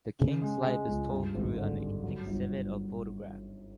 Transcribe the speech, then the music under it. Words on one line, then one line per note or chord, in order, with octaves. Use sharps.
The king's life is told through an exhibit of photographs.
C#3
G#3
G#3
C#2
G2
G#1
D3
G2
F#3
G1